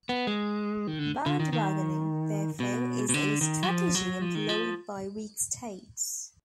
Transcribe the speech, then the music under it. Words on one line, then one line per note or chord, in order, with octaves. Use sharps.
Bandwagoning, therefore, is a strategy employed by weak states.
B3
G#3
D#3
D3
D3
D#3
D#3
B2
B2
D3
D#3
F#3
F3
F#3
F3
D#3
F3